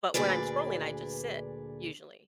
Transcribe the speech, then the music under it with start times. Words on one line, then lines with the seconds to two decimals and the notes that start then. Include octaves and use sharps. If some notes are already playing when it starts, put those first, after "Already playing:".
But when I'm scrolling, I just sit, usually.
0.14 D2 A#2 D4 G#4 B4 D5